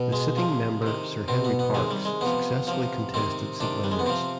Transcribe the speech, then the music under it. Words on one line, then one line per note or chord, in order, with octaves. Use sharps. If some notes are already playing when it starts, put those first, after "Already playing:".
The sitting member Sir Henry Parkes successfully contested St Leonards.
Already playing: B2
G#3
C3 F3
C3 D#3
B2 C4
B3
B3
C3 D#3 G#3
G3
G#3
C3 F3 B3
C3 F3
C3 D#3 C4
C3 D#3 D4
G3
G#3
B3
C3 F3 C4